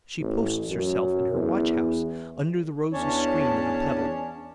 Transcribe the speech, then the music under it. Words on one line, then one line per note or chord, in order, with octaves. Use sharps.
She posts herself in her watch-house, under the rosy screen of a petal.
A1
F#2
E2
E2 C#4 D4 C#5 A5